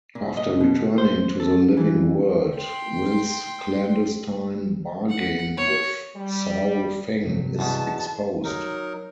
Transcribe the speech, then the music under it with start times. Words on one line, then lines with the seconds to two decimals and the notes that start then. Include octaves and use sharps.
After returning to the living world, Will's clandestine bargain with Sao Feng is exposed.
0.15 A#2
0.37 D#5
0.61 B2
0.98 C5
1.40 A4
1.77 E3
2.57 G5 C6
5.09 F#5
5.57 C#5
6.16 G3
7.24 C2 G2 C3 F#3
7.59 E2 B2 A5
8.44 F#3 D#4 A#4